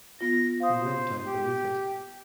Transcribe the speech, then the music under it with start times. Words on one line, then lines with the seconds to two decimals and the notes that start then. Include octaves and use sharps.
He went down beneath it.
0.21 B3 F4 A#6
0.60 C5 F5 D#6
1.25 G4